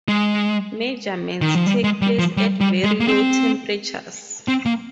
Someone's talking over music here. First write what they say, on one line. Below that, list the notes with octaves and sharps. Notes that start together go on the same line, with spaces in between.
Measurements take place at very low temperatures.
G#3
D#3
F3
G3
G#3
G3
F3
G3
G3
G#3
A#3
C4
C4
A#3